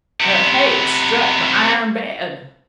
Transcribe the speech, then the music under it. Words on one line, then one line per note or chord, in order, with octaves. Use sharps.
Her head struck the iron bed.
C3 B3